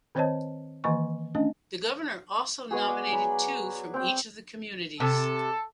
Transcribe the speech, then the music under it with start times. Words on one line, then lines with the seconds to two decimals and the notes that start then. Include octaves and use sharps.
The Governor also nominated two from each of the communities.
0.15 D#3 C4 C5 C#5 D#5 A5
0.84 D#3 E3 A#3 D#5 G#5 C#6
1.35 A3 C#4 D4 D#5
2.71 G#3 B3 F#4 G#4
2.87 D5
3.12 F#3 B5
3.94 C4 G5
5.00 C3 A4